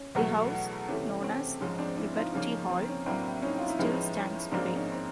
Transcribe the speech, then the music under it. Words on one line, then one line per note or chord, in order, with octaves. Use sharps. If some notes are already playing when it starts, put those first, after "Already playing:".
The house, known as "Liberty Hall", still stands today.
Already playing: C#4
E2 B2 F#3 A3
C3 E3 A3 C#4
C#4
C4
G#2 F3 G#3 C#4
C4 D4
D4 E4
D#4 F4
C#3 F3 A#3 C#4 D#4
C#4
C4
C4
C#4
A2 F#3 A#3 C4 D4
C#4 D#4
F4
E4
A2 F3 G#3 B3 C#4 D#4
C#4
G#2 F3 A#3 C4 D4
C#4 D#4
C4